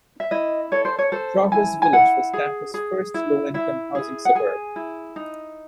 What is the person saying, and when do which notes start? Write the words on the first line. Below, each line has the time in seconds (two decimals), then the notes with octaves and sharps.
Progress Village was Tampa's first low-income housing suburb.
0.20 E5
0.31 E4 D#5
0.72 A4 C#5
0.85 C5
0.99 C#5
1.12 A4 C5
1.52 E4 G#5
1.82 G#5
1.93 E4 F#5
2.33 G#4
2.74 G#4
3.14 E4
3.54 E4 E5
3.95 G#4
4.25 F#5
4.35 G#4 G#5
4.76 E4
5.16 D#4